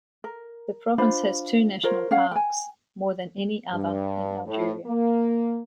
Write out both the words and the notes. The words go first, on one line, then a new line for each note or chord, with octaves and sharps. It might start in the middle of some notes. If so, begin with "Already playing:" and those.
The province has two national parks, more than any other in Algeria.
A#4
D4 F4 C5 B5
F4 A#4 C5 C#5
C#4 C#5 F5 F#5
G5 G#5
G2
A2
A#3